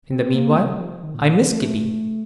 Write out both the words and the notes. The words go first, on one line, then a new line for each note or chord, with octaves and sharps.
In the meanwhile, I miss Kitty.
C4
A#3
G3
F3
F3
D#3
A#2
A3